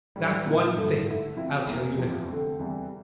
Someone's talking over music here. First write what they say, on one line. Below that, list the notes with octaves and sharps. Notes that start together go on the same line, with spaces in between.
That one thing I'll tell you now....
A2 G3 D4
A#2 F3 A#3 E4
G2 D3 A3
D3 A3 E4
C3 F3 C4 E4
E2 E3 A#3 E4
E2 C3 F3
D3 A3 C4
E2 C3 E3 G3